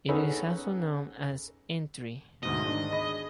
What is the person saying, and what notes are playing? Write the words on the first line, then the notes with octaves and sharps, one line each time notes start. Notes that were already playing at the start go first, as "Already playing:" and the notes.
It is also known as "Entree".
B3 C#4 D#4 G#4 A4 B4
D2 G#2 B2 D#5
G#2 D#3 D4
G#4 B5 A#6